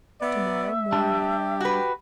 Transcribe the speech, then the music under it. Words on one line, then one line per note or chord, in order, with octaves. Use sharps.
"To-morrow morning."
B3 D5 E5
G3 D4 G4
F#4 B4